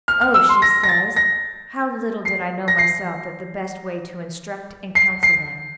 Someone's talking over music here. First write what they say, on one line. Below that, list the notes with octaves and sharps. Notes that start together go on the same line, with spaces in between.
'Oh,' she says, 'how little did I know myself of the best way to instruct and counsel them!
F6
F6
E6
C6
A#6
A#6
A6
A#6
C7
A#6
C7
C7
C7